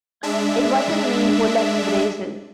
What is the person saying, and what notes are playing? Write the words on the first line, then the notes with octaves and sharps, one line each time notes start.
It wasn't me who left Brazil.
G#3 D4 E5